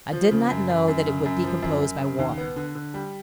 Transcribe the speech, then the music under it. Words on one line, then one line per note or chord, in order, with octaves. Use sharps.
I did not know that it would decompose by water.
F3
C#3
F#2
F#2
F#2
C#3
F#2
F3
F#2
F#2
C#3
D#2
B3
D3
D3
G3